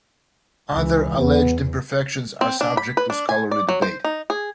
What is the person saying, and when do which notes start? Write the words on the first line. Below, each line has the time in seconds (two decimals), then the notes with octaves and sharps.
Other alleged imperfections are subject to scholarly debate.
0.71 C#2 E3
1.19 E2 B3
2.41 C4
2.61 D4
2.77 B5
2.97 B4
3.10 D4
3.29 G#5
3.51 D5
3.69 F#3
3.82 C5
4.05 D#4
4.30 G#4